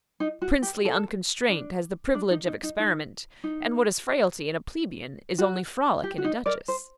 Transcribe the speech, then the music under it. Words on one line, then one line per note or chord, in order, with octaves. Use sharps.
Princely unconstraint has the privilege of experiment, and what is frailty in a plebeian is only frolic in a duchess.
D#4
F#4
G4
A4
D4
D4
D#4
D#4
D#4
D#4
D#4
F#4
G4
F#4
D#4
A#4 D5
C5